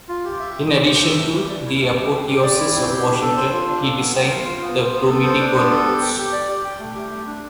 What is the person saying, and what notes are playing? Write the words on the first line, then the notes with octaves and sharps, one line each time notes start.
In addition to "The Apotheosis of Washington" he designed the Brumidi Corridors.
F4
G4
E5
G5
C5
G4
E5
A3
G4
D5
E4
A3
G4
C4
G4
D5
E4
C4
G4
D4
A4
C5
F4
D4
A4
B3
C5
F5
F4
B3
C5
B3
A4
C5
D4
B3
A4
G4
G5
G4
D5
G4
G5
A3
G4
A3
D4